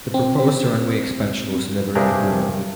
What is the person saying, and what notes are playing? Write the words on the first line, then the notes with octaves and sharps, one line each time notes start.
The proposed runway expansion was never implemented.
C4
G2 C3 D4 G4 G#4 A#4